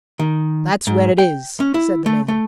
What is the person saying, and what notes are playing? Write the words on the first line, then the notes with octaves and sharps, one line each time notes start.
"That's where it is," said the man.
D#3
G#2
G5
C#4
E4
A3
A3